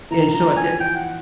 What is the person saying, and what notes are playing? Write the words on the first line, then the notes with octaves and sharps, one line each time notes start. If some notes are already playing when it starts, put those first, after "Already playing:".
And, so, at that
E3 A#5
F3 A#5
F3 G#5
E3 G5
F#5